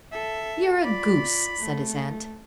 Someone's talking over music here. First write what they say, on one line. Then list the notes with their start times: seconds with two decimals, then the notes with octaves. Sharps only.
"You're a goose!" said his aunt.
0.12 A4 E5
0.84 F4 D5 B5
1.59 A3